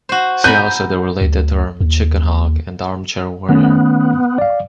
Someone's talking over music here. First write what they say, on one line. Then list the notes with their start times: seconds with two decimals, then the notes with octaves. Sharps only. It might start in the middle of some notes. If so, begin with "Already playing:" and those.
See also the related term "chickenhawk" and armchair warrior.
0.09 F#4 C5
0.44 G#5 A#5 B5 G6
1.21 D2
1.81 D#2
3.49 D#3 A3 B3 C#4
4.38 D5 F5